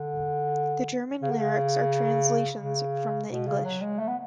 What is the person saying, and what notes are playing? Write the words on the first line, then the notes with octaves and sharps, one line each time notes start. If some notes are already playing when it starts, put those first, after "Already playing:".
The German lyrics are translations from the English.
Already playing: D3
C#3
D3
C#3
C#3
B2
C#3
F#3
G#3
A3
B3